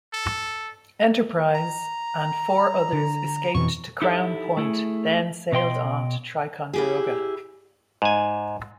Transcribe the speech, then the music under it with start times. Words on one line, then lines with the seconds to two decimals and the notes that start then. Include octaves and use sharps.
"Enterprise" and four others escaped to Crown Point, then sailed on to Ticonderoga.
0.13 A4
1.55 A#5
2.93 D3
3.55 F2 B2 E3 C#6
4.02 D#4 E4 G4 A4 B4 E5
4.57 A3 E4 G#4
5.52 B2 D#5 G5 C6
6.73 E4 G4 G#4
8.02 G#2 G#5